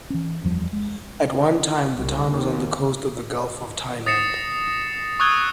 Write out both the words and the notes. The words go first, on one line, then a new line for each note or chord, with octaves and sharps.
At one time the town was on the coast of the Gulf of Thailand.
E3 C#4
F#1 E2 F3 G3
G#3
C2
D#2
D#6 A6 A#6 C7 C#7 E7
C#6 D#6 E6 F#6 G#6 G7